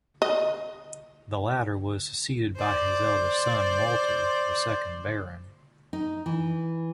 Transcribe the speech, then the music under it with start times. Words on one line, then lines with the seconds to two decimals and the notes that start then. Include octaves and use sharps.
The latter was succeeded by his eldest son, Walter, the second Baron.
0.22 D#5
2.56 C5 D5
5.93 D#4
6.26 E3